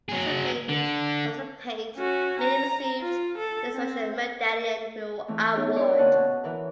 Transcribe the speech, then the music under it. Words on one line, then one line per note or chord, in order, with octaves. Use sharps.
Participant Media received the Special Medallion award.
F#3 G#4
D3
C#4 F#4
A#5
F4
A4
C4
E3 A3 C4
B3 C#4 D#4 G4
D4 E4 A#4 C#5 D5
D2 A#2 C#4 D#5 F#5 A5
B2 C#4
E3 A#4 B4